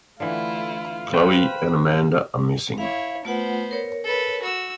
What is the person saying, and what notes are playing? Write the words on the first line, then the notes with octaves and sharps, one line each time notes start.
Chloe and Amanda are missing.
D3 E3 A3 E4 F4 F5
B4 C5 G5 B5
E4 C#5 F5
A3 B3 F4 C5 F#5
A#4 C#5
A4 B4
F#4 E6